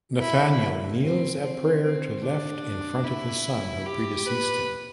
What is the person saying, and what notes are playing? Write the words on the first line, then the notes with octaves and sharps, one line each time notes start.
Nathaniel kneels at prayer to left in front of his son, who predeceased him.
E4
C4
C4
C4
D4
E4
G4
B4